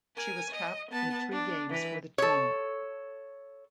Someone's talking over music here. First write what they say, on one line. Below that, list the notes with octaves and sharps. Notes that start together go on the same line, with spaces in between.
She was capped in three games for the team.
A#4 G#5
D#5
B3 A5
D4
E3 B4
A4 C#5